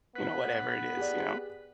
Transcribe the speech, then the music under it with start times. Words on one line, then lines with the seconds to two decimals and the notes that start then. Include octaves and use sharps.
you know, whatever it is, you know?
0.16 B3 B4
0.97 G4 G#4 D5